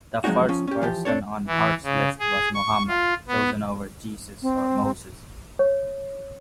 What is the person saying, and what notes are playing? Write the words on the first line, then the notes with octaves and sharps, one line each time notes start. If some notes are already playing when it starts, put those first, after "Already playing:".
The first person on Hart's list was Muhammad, chosen over Jesus or Moses.
F3 F#3 G#3 C4 D#4 F#4
F3 C#4 F4
C#4 G4
E3 F3 G4
C4 D4 A4 C#5
E3
C#3
G#4
C#6
F4
B3
C4
C#5